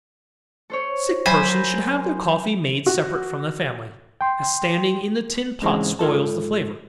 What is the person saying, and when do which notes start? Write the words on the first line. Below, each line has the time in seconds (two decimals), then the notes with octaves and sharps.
Sick persons should have their coffee made separate from the family, as standing in the tin pot spoils the flavor.
0.70 A4 C5 C#5
1.26 F#3 C5 G#5 B5
1.48 A#4
2.86 F#4
4.21 G5 C6
5.62 G#2 C#3 E3 G#3 C4
5.99 G#2 F4 A4 A5